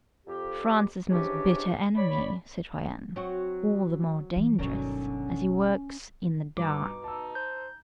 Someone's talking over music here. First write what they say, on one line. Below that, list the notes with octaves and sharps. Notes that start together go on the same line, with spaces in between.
"France's most bitter enemy, citoyenne . . . all the more dangerous, as he works in the dark."
F2 G4
G#2 C3 E3 C#4 D4 G4
C#5 D5 B5
F#3 C4 F#4
E3
G1 B2 D3 D#3 F#3 C#4
G2 B2 G3 D#4 D6
D#4 A5 E6
C5 G6